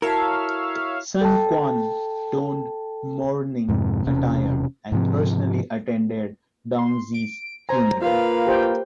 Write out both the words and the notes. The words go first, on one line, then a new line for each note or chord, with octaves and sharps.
Sun Quan donned mourning attire and personally attended Dong Xi's funeral.
E4 F#4 A4 A#4 C#5 E5 F5 A#5
A4 G5 A5
F2 G#2 C3
E1 C3 C#4
G#2 C3 F3 C4
C6
D7
C5 G#5 A#5
A#3 F4 B4 F5
G4 C5 G5